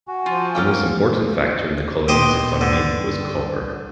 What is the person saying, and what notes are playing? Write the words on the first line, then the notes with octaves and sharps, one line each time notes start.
The most important factor in the colony's economy was copper.
F#4 G#5
F3 F4
A#3 C#4 A4 A#4 G5 F6
A#2 B3 G4 C5 D#5
G2 D3